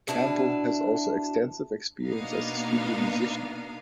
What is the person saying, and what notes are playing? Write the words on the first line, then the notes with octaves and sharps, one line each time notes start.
Campbell also has extensive experience as a studio musician.
B2 D4 E4 B4
B2 A#3 B3 D4 D#4 F5